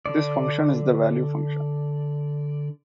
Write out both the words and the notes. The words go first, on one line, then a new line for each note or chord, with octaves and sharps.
This function is the "value function".
D3 D5